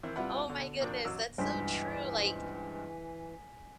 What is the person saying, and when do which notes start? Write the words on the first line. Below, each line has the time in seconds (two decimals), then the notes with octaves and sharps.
Oh my goodness, that's so true, like,
0.03 D#3 E3 C4
0.16 C3 G3 E4 F4 B4 F#5
0.47 B2 D3
0.80 D#2 A#2 D#3 F3 D4
1.05 A1 F#3 E6
1.38 C#2 G2 E3 C5 G#5 B6